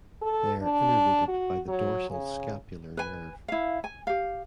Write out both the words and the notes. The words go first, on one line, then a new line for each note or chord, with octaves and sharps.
They are innervated by the dorsal scapular nerve.
A4
D4
F#4
F#3
C#3
B4 G#5
E4 F5
G#5
G4 F5